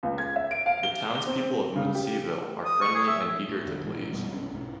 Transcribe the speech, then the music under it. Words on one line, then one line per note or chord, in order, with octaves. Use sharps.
The townspeople of Munsieville are friendly and eager to please.
C#2
G#6
E5
D7
F5
G7
G7
C4
C#3
G4
D#6
C#6
G#4
E5
A2
G#1 E2 D3
A#1 G#2 E3
F#2 B2 G3
B1 D#3 C#4
B1 G#2